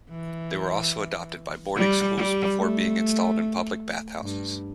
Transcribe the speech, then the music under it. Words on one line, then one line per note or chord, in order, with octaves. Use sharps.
They were also adopted by boarding schools, before being installed in public bathhouses.
E3
G3
G3
A3
G2